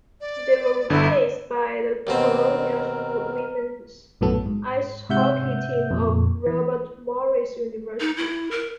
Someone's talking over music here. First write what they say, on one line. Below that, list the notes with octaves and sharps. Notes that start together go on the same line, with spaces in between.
They were replaced by the Colonials women's ice hockey team of Robert Morris University.
D5
G1 D3 E4
D#2 B2 C4 A#4
A#1 F#2 A2 F#3 B3 A4
G#2
G#2 C3 E5 F#5 G6
F2 A#2
E3
D#4
E4
A#4